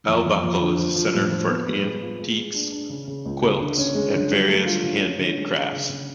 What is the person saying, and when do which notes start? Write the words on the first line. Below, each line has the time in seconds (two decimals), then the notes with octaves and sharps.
Bell Buckle is a center for antiques, quilts, and various handmade crafts.
0.09 F2
0.26 F2
0.44 F2
0.62 D3
0.79 F3
0.96 F3
1.14 A2
1.31 F3
1.50 B3
1.66 B3
1.85 G#3
2.02 F4
2.19 G#3
2.37 G#3
2.54 D4
2.72 D4
2.90 C#3
3.08 C#3
3.26 C#2
3.43 C#3
3.60 D3
3.78 C#4
3.95 G#3
4.14 D3
4.31 F#3
4.48 A3
4.66 F4
4.84 D3
5.01 C#4
5.19 D3
5.37 G#3
5.53 D3
5.72 C#3
5.89 C#3